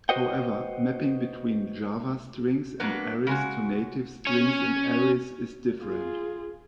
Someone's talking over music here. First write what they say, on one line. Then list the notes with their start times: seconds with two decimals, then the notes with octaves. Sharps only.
However, mapping between Java Strings and arrays to native strings and arrays is different.
0.09 F#4 B4 C5 D#5 F#5 G5
2.80 F#3 A#3 B3 D4
3.27 C#3 G#3 F#4
4.27 C#4 C#5
5.81 F4 G#4